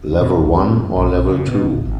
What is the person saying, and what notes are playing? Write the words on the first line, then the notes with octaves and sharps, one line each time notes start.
Level one or level two?
B2
C2
C4
F#2
A#1
A#1
C#3
B2
D1
G#1